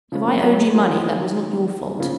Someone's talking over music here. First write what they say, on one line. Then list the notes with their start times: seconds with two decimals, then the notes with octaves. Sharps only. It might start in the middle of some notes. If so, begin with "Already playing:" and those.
If I owed you money, that was not your fault.
0.12 C#3 F3
0.27 F#3 A#3
0.44 F#3 A#3
0.59 G#3 B3
0.75 F#3 A#3
0.90 F3 G#3
1.05 D#3 F#3
1.95 D#3
2.00 C#3 F3